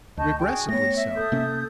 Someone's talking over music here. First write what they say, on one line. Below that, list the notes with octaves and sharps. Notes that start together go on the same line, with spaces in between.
Repressively so.
D2 D#5 A5 C#6 G6
D4 F#4 G#4 G5
A3 B3 C#5 G5 A#6
E5
A4 D#6 G6
C3 A#3 C#4